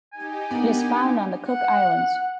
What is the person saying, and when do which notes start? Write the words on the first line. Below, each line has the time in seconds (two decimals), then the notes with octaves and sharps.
It is found on the Cook Islands.
0.13 D#4 G4 G#5
0.51 B3 D4 A#4 F#5
1.49 F#5